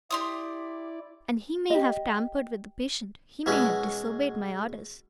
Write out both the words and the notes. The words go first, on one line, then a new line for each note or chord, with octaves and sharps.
And he may have tampered with the patient--he may have disobeyed my orders.
E4 G4 D5 C6 D#6
G4 D#5
B2 E3 G#3 C#4 F#4 G#4